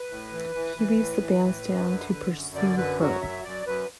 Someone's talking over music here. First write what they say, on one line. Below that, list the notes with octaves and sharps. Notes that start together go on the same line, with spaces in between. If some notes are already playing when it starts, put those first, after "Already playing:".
He leaves the bandstand to pursue her.
Already playing: B4
A2
E3
E3
E3
A2
E3
A2
F#2
D3
D3
F#2
D3 D5
F#2 B4
F#3 F#4
F#2 E5
F#2 D5
F#2 B4